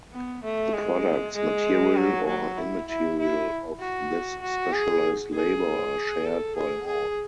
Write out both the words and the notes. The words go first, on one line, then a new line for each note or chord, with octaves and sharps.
The products, material or immaterial, of this specialized labor are shared by all.
B3
A3
G#3
G#3
F#3
F#3
E4
E4
E4
F#4
F#4
G#4
G#4
A4
G#4
G#4